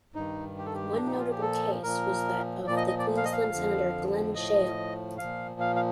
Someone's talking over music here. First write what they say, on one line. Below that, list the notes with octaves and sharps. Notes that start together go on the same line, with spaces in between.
One notable case was that of the Queensland Senator Glen Sheil.
G2 D#3 D#4
G4
A4
G4
A#2 F3 D4
D#4
F4
G4
A4
A#2 F3 A#4
A#2 F3 D5
D#5
D#5
D5
F5
D#5
F5
F2 D3 F3
A2 F3 D#5
A#2 F3 F5
F5
F5